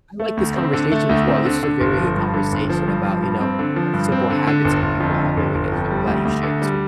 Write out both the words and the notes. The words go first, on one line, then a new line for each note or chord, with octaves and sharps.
I like this conversation as well, this is a very good conversation about, you know, what simple habits help people happy every day, so I'm glad you shared this with me.
A3
D2
C4
D3
A3
D2
C4
D3
D3
G1
F3
G2
D3
G1
F3
G2
F3
G2
C4
D3
F3
G2
C4
D3
D3
G1
G1
F2
D3
G1
G1
F2
G3
D2
D2
D3
G3